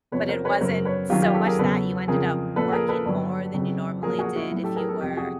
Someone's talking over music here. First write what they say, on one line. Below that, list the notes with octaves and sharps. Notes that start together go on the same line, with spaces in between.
but it wasn't so much that, you ended up working more than you normally did if you were
E2 C3 F3 B4 C#5
A#4 C5
B4 C#5
F#2 C#3 F#3 A#4 C5
B4 C#5
F#2 D#3 F#3 F4 G4
F4 G4
G4 A4
G#4 A#4
E2 C#3 F#3 A4 B4
F2 C#3 F3 G#4 A#4
A#2 F3 A4 B4
G#4 A#4
A4 B4
G2 D3 F#3
F2 C#3 F#3
A#2 F3 G#4 A#4
F#4 G#4
E4 F#4
A2 F#3 E4
G4 A4
G#4 A#4
G4 A4
F2 C3 F3 G4 A4
F#4 G#4